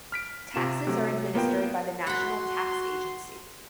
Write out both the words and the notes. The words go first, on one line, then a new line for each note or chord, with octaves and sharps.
Taxes are administered by the National Tax Agency.
F6 B6 D7
C3 F4 E7
C3 F#3 A3
A#3 B3 F4 G5
F#4 F#5 B5 C6